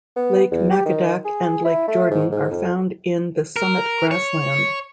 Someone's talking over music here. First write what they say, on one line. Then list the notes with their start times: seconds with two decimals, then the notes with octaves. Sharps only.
Lake Macadac and Lake Jordan are found in the summit grassland.
0.16 B3
0.52 E2
0.71 G4
0.86 D#3
1.25 G#4
1.64 E4
1.88 A3
2.11 G#2
2.32 G#2
2.51 F2
3.56 A#4
4.11 C#5